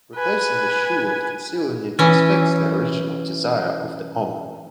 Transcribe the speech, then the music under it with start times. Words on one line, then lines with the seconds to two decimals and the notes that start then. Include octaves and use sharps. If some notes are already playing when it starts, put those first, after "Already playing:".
Replacing the shoe and concealing it respects the original desire of the owner.
0.15 B4 G#5
1.99 E3 C#4